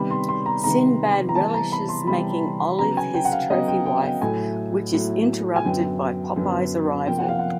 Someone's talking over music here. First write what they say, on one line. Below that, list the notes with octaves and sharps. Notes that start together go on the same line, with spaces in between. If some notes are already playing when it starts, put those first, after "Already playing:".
Sinbad relishes making Olive his trophy wife, which is interrupted by Popeye's arrival.
Already playing: C3 D#3 G3 B3 B5
C6
C6
A#5
C3 D#3 G3 B3 A#5
A#5
C3 E3 G3 C4 A5
A#5
B5
C6
C3 E3 G3 C4 B5
C#3 F#3 B3 A#5
G#5
G5
F#5
F5
C#3 F#3 B3 D#5
G5
G5
G5
A2 F#3 A3 G#5
A2 F#3 A3
G#5
F#2 D3 F#3 B3 G5
F#2 D3 F#3 B3
C3 F3 A#3 G5
F#5
F5
F#5